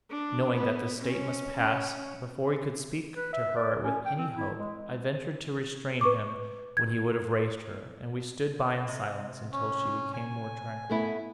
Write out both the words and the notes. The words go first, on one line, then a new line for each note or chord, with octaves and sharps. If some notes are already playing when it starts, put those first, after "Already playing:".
Knowing that this state must pass, before we could speak to her with any hope, I ventured to restrain him when he would have raised her, and we stood by in silence until she became more tranquil.
D4
B3
C#4
C#4
B4
E5
D5
C#4
G5
C4
E4
G#3
B4 C#6 D6
G#6
C3
C#4
G#5
A3 B3 E4